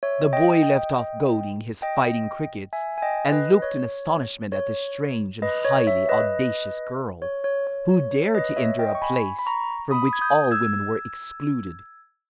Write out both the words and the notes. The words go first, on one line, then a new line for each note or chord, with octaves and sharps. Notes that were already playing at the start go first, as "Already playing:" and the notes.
The boy left off goading his fighting crickets, and looked in astonishment at this strange and highly audacious girl, who dared to enter a place from which all women were excluded.
C#5 E5
D#5 G5
D#5 G5
D#5 G5
E5 G#5
G#5
D#5 G5
B4 D#5
C#5
C#5
B4 D#5
C#5
C#5 E5
B4 D#5
C#5
C#5
C#5
C#5
C#5
B4 D#5
C#5 E5
D#5 G5
C#6
G#5 B5
B5
A#5 C#6
B5 D#6
G#6
D#6 G6
E6 G#6